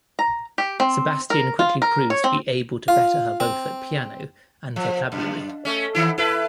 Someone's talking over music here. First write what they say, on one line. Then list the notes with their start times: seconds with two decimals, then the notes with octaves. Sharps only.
Sebastian quickly proves to be able to better her both at piano and vocabulary.
0.19 A#5
0.58 G4
0.80 C4
1.30 A#4
1.59 F4
1.82 A#4
2.10 C#5
2.24 C4
2.88 F4
3.40 C4
4.76 F3
5.12 F#2
5.65 A3 C#4
5.95 D#3 E4
6.18 E4 A4 B4